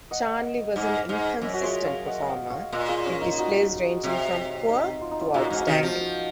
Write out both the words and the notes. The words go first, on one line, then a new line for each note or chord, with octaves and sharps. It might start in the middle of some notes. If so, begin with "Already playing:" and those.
Charnley was an inconsistent performer with displays ranging from poor to outstanding.
D#5 F#5
G#2
G#2
F#2
F#4
F4 G#4
C#5 F5
D#5 F#5
F5
D#5 F#5
C#5 F5
A#2 C5 D#5
F4 G#4
C#4
D#4
D#4 F#4
C3
D#4
F4
D#4
C#4 F4
A#2 D#4 F#4
G#2
D#3
F3